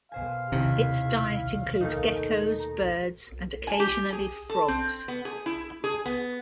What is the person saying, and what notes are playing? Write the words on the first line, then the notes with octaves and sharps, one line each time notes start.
Its diet includes geckos, birds and occasionally frogs.
B2 C5 F5 G#5
D#2 C3 E4
A#2 A3 D#4 G#5
A#5
G#5
G4
G#4
A4
C4
B3
G#4
E4
G#4
B3